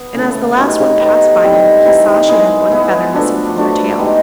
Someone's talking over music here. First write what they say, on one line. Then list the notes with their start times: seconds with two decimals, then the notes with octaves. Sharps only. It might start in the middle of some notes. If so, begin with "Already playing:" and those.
And as the last one passed by him, he saw she had one feather missing from her tail.
Already playing: B3
0.14 C#3 E3 A3
0.57 F#3 B3 D#4 G4
1.00 F#3 B3 D#4 G4
1.43 E3 G3 C4 D#4
1.85 E3 G3 C4 D#4
2.28 G#3 B3 E4 G#4
2.71 G#3 B3 E4 G#4
3.13 F3 A3 D4 F#4
3.56 F3 A3 D4 F#4
3.99 G#3 B3 D#4 G4